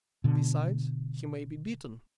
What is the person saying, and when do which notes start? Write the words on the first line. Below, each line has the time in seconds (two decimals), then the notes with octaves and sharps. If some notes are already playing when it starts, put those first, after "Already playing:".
Besides, he may be bitten.
0.24 B2 D3